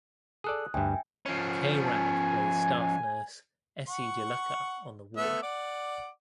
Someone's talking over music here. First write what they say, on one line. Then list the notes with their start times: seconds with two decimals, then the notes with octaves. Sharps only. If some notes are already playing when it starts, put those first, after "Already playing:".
Kaye Wragg plays staff nurse Essie Di Lucca on the ward.
0.44 G#4 A4 D5 D#6 F#6
0.74 D2 G2 E5 G5 G#5
1.26 F3 C#4
1.85 G#5
3.88 F#5 C#6
5.17 A3 B3 E5
5.42 D5 F#5 D6